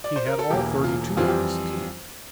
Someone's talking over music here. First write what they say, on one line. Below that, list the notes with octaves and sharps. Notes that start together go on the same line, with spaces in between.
He had all thirty-two of his teeth.
D5
C5
A#4
A4
E1 E2 E3 A#3 G4
F4
F2 E3 G3 C4 F4
G4